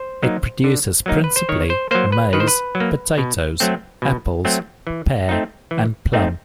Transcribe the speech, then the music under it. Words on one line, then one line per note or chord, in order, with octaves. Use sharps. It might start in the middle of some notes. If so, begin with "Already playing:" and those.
It produces principally maize, potatoes, apples, pear and plum.
Already playing: C5
F#3 A#3 D#4
D3
F#3 A#3 D#4
B4
C5
D#3 C#5
C5
F#3 A#3 C5
B4
D#3 B4
C5
B4
F#3
A#3
B2
F#3 A3 C4
B2
F#3 A3 C4
E3
A3 C4 D#4
E3
A3 C4 D#4